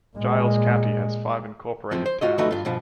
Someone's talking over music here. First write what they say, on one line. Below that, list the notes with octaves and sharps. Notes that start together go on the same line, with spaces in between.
Giles County has five incorporated towns.
A#2 G#3
F#2 F3 C4
C5
F4 F#4 D#5
D3 F3 A3 D#4 F#4 B4
G2 F4
G2 B2 F3